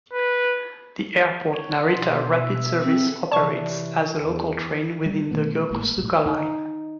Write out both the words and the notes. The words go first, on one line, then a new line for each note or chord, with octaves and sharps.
The Airport Narita rapid service operates as a local train within the Yokosuka Line.
B4
C#5
B2 C6
E5
C4 G#4 A4 F#5
C3 E3 C#5 D5 A5 C#6
E2
G3
B2 D#3 A3 B3
G#1 A2 G#3 A#3
B1 A2
D#4